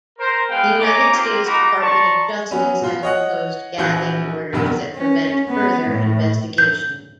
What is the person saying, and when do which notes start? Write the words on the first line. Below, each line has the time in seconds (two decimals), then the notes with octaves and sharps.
The United States Department of Justice has imposed gagging orders that prevent further investigation.
0.19 A#4 C5
0.48 G#3 B3 F5 G5
0.80 D#4 C#5 G#5 A#5 D6
1.12 A#3 C4 F4 G4
1.45 D#4 F4 F#4 A#5 B5 D6
1.80 D5 A5 A#5 C6 C#6
2.51 F#3 B3 C#4
2.82 B2 F4
3.03 C#5 D#5 F#5
3.78 A#1 E3 F#4 G6
4.53 E1 B1 G2 C3 D#3 B3
4.96 C#4
5.49 B3
5.89 A2
6.58 G6